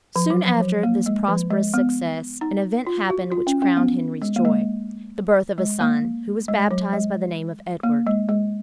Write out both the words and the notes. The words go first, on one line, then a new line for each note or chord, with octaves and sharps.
Soon after this prosperous success, an event happened which crowned Henry's joy--the birth of a son, who was baptized by the name of Edward.
F3
F#3
F3
F#3
A#3
G#3
F3
G#3
B3
D#4
F4
F#4
F4
C#4
C#4
B3
G#3
A#3
G#3
G#3
A#3
G#3
F#3
G#3
A#3
G#3
G#3